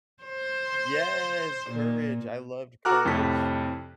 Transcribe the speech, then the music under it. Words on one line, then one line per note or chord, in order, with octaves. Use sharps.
Yes! Courage, I loved Courage.
C5
A#2
F#4 A4 A#5 D6 F6 F#6
F2 A2 C3 A5 B6